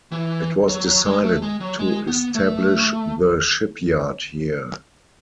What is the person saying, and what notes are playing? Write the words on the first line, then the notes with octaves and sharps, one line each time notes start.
It was decided to establish the shipyard here.
E3
F#3
F#3
G#3
A3
G#3
F#3
G#3
B3
A3